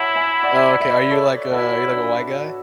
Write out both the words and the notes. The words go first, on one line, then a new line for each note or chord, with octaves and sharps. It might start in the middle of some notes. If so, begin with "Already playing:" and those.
Oh, okay. Are you like a are you like a white guy?
Already playing: E4 C#5 E5 F#5 A5 B5
E5 G#5
D5 F#5
D5
E5
B4 D5
A4 C#5
E4 F#4 A4
D4 F#4